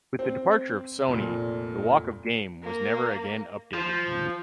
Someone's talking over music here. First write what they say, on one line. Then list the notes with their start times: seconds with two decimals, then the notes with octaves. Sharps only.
With the departure of Sony, the Walk of Game was never again updated.
0.19 C4
1.07 F1 A#2
2.64 A#3
3.74 F3